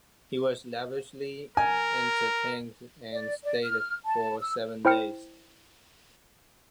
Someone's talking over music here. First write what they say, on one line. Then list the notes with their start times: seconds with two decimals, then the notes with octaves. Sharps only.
He was lavishly entertained and stayed for seven days.
1.57 A#4 G#5
3.12 D5
3.44 D5
3.64 F6
4.05 A5
4.40 E6
4.85 E4 C5 G5 F6 C#7